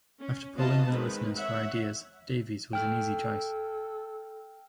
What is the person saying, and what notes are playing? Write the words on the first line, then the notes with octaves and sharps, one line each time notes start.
After polling their listeners for ideas, Davis was an easy choice.
C#4
B3 E4 F#4 D#5 F5 A5
D#3 G#3 C4 D#4 B4
C#5 E5 F#5
A4 G5 F6